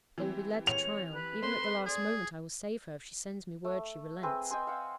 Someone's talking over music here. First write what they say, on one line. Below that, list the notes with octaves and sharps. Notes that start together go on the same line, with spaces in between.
They will be led to trial,--even at the last moment, I will save her, if she sends me word she relents.
E3 C4 G4
C#5 F7
B4 B5 F#6
A3 C4 C5 C6
G#4 D5
A3
C4 G#4 B4
D#5 G5 G#5 C6
F5 F#5 E6